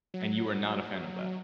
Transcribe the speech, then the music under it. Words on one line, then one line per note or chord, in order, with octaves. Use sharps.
And you were not a fan of that.
F#3